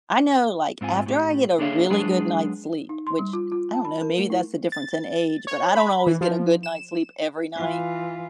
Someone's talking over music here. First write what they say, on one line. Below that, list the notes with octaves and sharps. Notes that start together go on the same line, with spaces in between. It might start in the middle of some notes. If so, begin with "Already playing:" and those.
I know, like, after I get a really good night's sleep, which I don't know, maybe that's the difference in age, but I don't always get a good night's sleep every night,
G#2 C4 F4 G#5
A2 G4
A#3 D4 G#4 C#5 E5 F5
F#3 G#3 D4 G#4 B4
D#4
C6
G3
F4
F4
A5
B5
A#4
A3
E4
A6
C#5
B5
E3
F3
E7
E3 F4